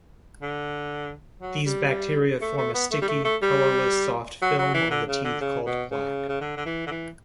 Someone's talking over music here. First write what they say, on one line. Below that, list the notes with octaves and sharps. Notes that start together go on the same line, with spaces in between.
These bacteria form a sticky, colorless soft film on the teeth called plaque.
D3
F#3
G3
A3
A3
B3
A3
G3
A3
A3
G3
F#3
F#3
E3
D3
C#3
D3
C#3
B2
C#3
C#3
D3
D3
E3
D3
E3